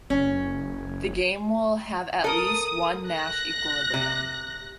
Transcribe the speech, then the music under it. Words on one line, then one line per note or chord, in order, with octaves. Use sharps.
The game will have at least one Nash equilibrium.
F#1 C#4
A4 A#4 D#6
F#6 A#6
C3